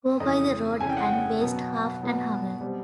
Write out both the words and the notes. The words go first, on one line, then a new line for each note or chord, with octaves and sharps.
Go by the road and waste half an hour!
F2 C#3 E3 D#5
F2 C#3 E3 G#5
G5
F#5
G5
B2 F#3 B3
B2 F#3 B3
B2 G3 C4